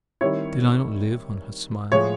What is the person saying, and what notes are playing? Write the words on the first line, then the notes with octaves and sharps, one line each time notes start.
Did I not live on her smile?
D#3 G3 C4 E4 C#5
A2 F3 G#3 C#5